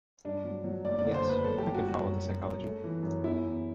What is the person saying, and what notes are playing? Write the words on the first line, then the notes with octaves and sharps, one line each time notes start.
Yes, I could follow the psychology.
G2 D4
F#3
F#3
F#1 D5
D5
D3
C5
F#1
B4
F#2 A4
G4
F#2
F#4
G3
F#4
F#2
F#2
F#2
A3
E3
F#2
E2 E4
E2